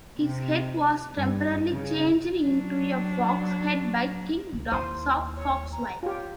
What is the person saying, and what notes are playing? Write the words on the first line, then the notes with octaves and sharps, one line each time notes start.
His head was temporarily changed into a fox's head by King Dox of Foxville.
C3
G2
C#3
F#3 D4
C#2
D#2 E4 C5 C6 D#6
C#5
A#5
F4 G4 C#5